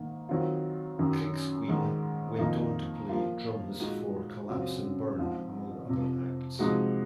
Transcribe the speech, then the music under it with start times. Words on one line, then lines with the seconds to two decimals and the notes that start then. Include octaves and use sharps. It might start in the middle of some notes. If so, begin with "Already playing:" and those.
Kriksciun went on to play drums for Collapse and Burn, among other acts.
Already playing: G#2 D#3 A#3
0.29 D#3 F#3 C4 F4
0.99 F#2 D#3 F#3
1.69 G#2 D#3 G#3
2.39 F2 D#3 A#3 D#4
3.09 F3 A#3 F4
3.79 A#2 G#3 D#4 F#4
4.49 F#2 C#3 F#3 C4 F4
5.19 G#2 F3 C4 F4
5.89 F2 C3 F3
6.59 C3 F3 G#3 D#4 F#4